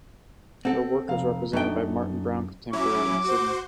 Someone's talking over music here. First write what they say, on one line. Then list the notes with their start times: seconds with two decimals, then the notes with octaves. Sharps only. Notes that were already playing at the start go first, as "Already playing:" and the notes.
Her work is represented by Martin Browne Contemporary in Sydney.
0.65 C4 A4 F#5
1.09 F1 F5
1.53 F#2 D4 D#4 A4 G5
2.73 F#3 C#4 E4 D6
3.24 F#4 C5